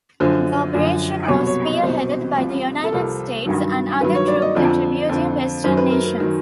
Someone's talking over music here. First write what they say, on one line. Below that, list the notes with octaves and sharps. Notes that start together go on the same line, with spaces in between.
The operation was spearheaded by the United States and other troop-contributing Western nations.
F#2 D3 F3 C5
F#2 D3 F3
C2 B2 F#3 C#5
C#5
D#5
C2 B2 F#3 C5
C2 C3 F3
A4
C2 C3 F3 A#4
G2 D#3 F#3
G2 D#3 F#3 B4
C#5
D5
D#5
F2 D3 F3
F2 D3 F3
F#2 D#3 F#3 C5
B4
A#4
A#4
D#3 F#3